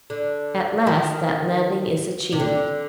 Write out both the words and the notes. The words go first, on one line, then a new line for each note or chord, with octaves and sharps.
At last that landing is achieved.
D3
D#3
C3
D3